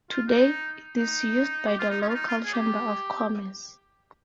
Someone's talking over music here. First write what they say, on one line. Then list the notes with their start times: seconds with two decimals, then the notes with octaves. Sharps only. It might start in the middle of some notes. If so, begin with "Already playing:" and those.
Today it is used by the local chamber of commerce.
0.11 F4
0.28 D#4
0.98 D#4
1.67 G4
1.79 F4
1.90 D#4
2.01 C#4
2.09 F4
2.15 D#4
2.27 F4
2.45 G#4
2.53 G4